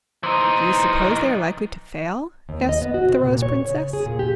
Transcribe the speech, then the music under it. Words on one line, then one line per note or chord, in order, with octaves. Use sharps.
"Do you suppose they are likely to fail?" asked the Rose Princess.
E3 D#4 C5
D#2
D#5
B3
F#4
C3
A#2
C#5
C#3
G#4
A#2
G4